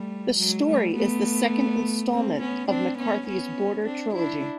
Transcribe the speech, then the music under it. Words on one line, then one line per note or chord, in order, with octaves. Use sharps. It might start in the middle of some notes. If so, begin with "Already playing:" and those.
The story is the second installment of McCarthy's "Border Trilogy".
Already playing: G3 A3
F#3 G#3
G3 A3
A3 B3
A#3 C4
B3 C#4
C4 D4
B3 C#4
B3 C#4
C4 D4
D4 E4